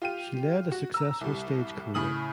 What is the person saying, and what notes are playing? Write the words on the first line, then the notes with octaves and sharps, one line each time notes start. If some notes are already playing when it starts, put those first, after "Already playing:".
She led a successful stage career.
F4 G4 D#7
F#4
A#5 E6
C2 G3
A2 C#3 D#6 F#7